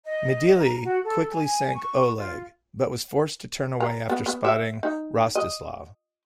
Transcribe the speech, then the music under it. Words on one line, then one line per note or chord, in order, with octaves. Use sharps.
"Midilli" quickly sank "Oleg" but was forced to turn away after spotting "Rostislav".
D#5
A#5
F#4
A4
G#5
C#6
F4
A#5
B3
B3
E5
D#4
D#5